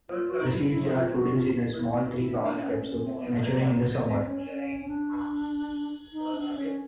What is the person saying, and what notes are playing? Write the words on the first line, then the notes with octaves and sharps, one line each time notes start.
The seeds are produced in a small, three-valved capsule, maturing in summer.
F4
F#4
D#4
E4
E4
F4
F#4
F4
E4
E4
D4
C#4
C#4
C4
B3
A3
A#3
A#3
B3
C4
C#4
C#4
C#4
D4
D#4
D4
C#4